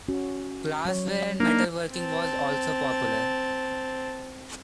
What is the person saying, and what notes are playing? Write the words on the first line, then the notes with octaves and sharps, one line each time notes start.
Glassware and metalworking was also popular.
C#4 F#4
F#3 C#5
A#3 D4 D#4
C4 A5